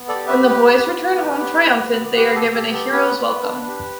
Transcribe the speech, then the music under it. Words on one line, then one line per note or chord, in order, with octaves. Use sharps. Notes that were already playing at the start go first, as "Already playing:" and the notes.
When the boys return home triumphant, they are given a hero's welcome.
Already playing: B3
A4 D5
G4
B4 E5
G4
B4
B3 B4
B3
G4
G4
B3
B3
G4 B4
A4
G4
A4
B3
A4
B3 B4
B3
D4
G4